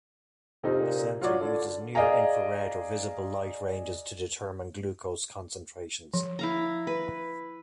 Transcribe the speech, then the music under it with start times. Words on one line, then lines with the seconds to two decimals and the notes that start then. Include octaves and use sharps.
The sensor uses near-infrared or visible light ranges to determine glucose concentrations.
0.63 F2 C3 D#4 F4
0.80 A#2
1.21 F#3 F4 C#5 D5
1.41 D3
1.95 G#4 D5 D#5 F5 G#5 A#5
6.14 F3
6.39 E4 F5 A#5
6.87 B4